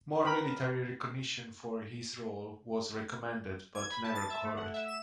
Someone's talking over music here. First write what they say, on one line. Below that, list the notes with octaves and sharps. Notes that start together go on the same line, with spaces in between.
More military recognition for his role was recommended but never occurred.
A#4 B4 G5 B5
G#6
B5
A5
A6
E5
A3
F#5
E5
E7